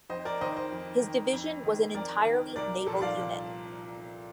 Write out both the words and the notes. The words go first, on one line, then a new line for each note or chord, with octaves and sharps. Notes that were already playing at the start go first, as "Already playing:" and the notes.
His division was an entirely naval unit.
F2 C5 D#5
A#4 D5
D#3 C5 D#5
C5 D#5
F2
D#3
F2
D#3
F2 A#4 D5
D#3
C2 A#4 D5
A#2 F3 A4
D5 F5
C2